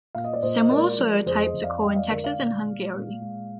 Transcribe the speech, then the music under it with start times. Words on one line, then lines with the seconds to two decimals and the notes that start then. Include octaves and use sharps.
Similar soil types occur in Texas and Hungary.
0.15 A#2 F5
0.24 D#5
0.33 D5
0.42 A#2 C5 D#5
0.60 D#5
0.70 G#3 A#4 D5
0.98 F3
1.26 F2 G#4 C5
1.44 C5 D#5
1.54 F2
1.64 D5 F5
1.82 G#3 D#5 G5
1.96 D5 F5
2.10 D3 A#4 D5
2.24 D5 F5
2.38 A#2
2.66 G#3
2.94 A#2
3.21 G#3